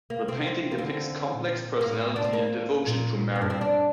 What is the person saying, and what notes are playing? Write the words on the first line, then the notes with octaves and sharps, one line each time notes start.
The painting depicts complex personality and devotion to Mary.
A#3
C3 C4
A#3
D3 C4
A#2
A2 A#3
D4
C4
A#3
A#2
G2 C4
D4
C4
D4